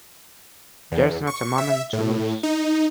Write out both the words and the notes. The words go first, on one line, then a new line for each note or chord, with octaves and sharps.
There's not a moment to lose.
E2
C#6
E5
A2
D#4